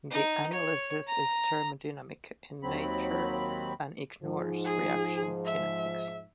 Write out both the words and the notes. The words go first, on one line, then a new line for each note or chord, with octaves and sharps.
The analysis is thermodynamic in nature and ignores reaction kinetics.
D#4
C#5
A#5
D#2 F#3 C4 B5
G#2 F3
G#4
E5